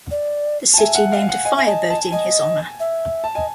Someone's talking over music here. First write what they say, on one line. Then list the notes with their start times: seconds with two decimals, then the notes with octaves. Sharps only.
The city named a fireboat in his honor.
0.11 D5
0.74 A5
0.78 E5 G#5
0.95 F#5
1.12 F5
1.29 F#5
1.45 D#5 G#5
1.56 E5 G#5
1.65 D#5 A5
1.90 A5
2.12 D#5 G#5
2.80 E5
3.24 A5
3.35 D#5 G#5